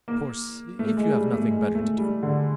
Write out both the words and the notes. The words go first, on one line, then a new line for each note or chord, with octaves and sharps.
Of course, if you have nothing better to do.'
A#3
A3
G#3
G3
A3
G#3
A3
G3
D3